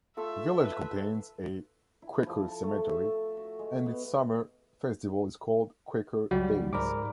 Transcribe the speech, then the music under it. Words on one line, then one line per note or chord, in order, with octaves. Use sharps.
The village contains a "Quaker Cemetery" and its summer festival is called "Quaker Days".
A3 F4 A4 E5
B4
E4
F3
A4
A3
E5
F#4
G#3
B3
C#2 F#3 G3 F#4
G#2 A#4 D5 B5 D6